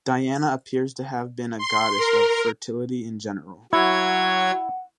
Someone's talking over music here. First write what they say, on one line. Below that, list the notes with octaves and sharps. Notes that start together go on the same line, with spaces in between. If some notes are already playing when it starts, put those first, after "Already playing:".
Diana appears to have been a goddess of fertility in general.
C6
A#4
F#3 E4 C#5 F#5 G#6